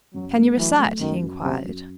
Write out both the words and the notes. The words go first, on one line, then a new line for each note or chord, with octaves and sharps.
"Can you recite?" he inquired.
F#2 F#3
A3
E3 F#3
A3
F#2 D#3
F#2
F#2 C3
F#2